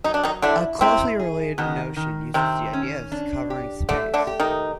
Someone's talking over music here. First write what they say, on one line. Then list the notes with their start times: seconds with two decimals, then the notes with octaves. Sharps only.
A closely related notion uses the idea of covering space.
0.04 F#3 D#4
0.14 D4
0.23 D#3 D#4
0.42 D3 D4 E4
0.81 C3 C4 E4
1.19 G#4
1.58 B2 D#3 B3
1.97 D#3
2.34 C3 D#3 C4
2.73 C#4
3.12 D4
3.50 G4
3.89 D3 A3 D4
4.14 D3 D4
4.27 G4
4.40 D#3 D#4